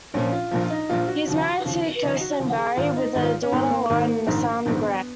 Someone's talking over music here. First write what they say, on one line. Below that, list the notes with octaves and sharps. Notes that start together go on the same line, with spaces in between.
He is married to Kerstin Barry, with a daughter, Lauren and a son, Grant.
A#1 A#2 F3 C#4
F4
A#1 A#2 F3
F4
D#4
A#1 A#2 F3 F4
F#4
D#2 C#3 F3
D#2 C#3 F3
D#2 C#3 F3 D#4
F#4
D#2 C#3 F3
G#4
G#1 G#2 D#3 F4
D#4
G#1 G#2 D#3 D#4
F4
C#4
G#1 G#2 D#3 B3
A#3
G#1 G#2 D#3 A#3
A#1 G#2 D#3
A#1 G#2 D#3 B3